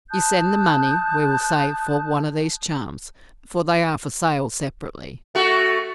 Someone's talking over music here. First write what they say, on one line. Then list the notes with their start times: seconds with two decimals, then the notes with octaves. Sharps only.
You send the money, we will say, for one of these charms--for they are for sale separately.
0.10 A5 D#6 F#6 G6
5.35 A3 F#4